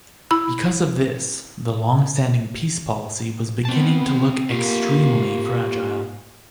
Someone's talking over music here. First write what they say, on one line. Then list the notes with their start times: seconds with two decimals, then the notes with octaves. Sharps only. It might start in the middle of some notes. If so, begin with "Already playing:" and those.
Because of this the long-standing peace policy was beginning to look extremely fragile.
0.31 E4 B5 E6
3.65 B3 C4 A5
4.50 A#3 F4 G4